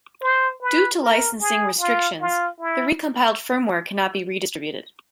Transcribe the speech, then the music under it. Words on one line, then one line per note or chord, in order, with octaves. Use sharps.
Due to licensing restrictions, the recompiled firmware cannot be redistributed.
C5
B4
A#4
G#4
F4
F4
E4